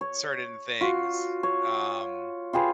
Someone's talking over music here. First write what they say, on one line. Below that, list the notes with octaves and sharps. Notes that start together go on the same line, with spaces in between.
certain things, um
C#5
F4 F#4
C#5
F4 G4 G#4 B4